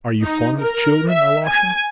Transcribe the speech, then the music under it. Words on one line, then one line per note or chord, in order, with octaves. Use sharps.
Are you fond of children, Alyosha?
D#4
A#4
E5
G#5